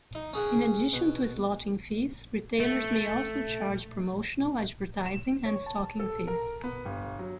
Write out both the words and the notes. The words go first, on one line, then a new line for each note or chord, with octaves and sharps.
In addition to slotting fees, retailers may also charge promotional, advertising and stocking fees.
D#4
C#4 G#4 F#5
B2
A3
E7
C#5
A5
A4
A#4
B3
G1
F#3